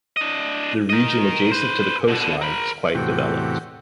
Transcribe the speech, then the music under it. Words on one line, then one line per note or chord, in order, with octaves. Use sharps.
The region adjacent to the coastline is quite developed.
D4 D#5
A#4 D#5
B4 C5
B2 D3
A#4 B5
E2 A2 C3 F#4 G4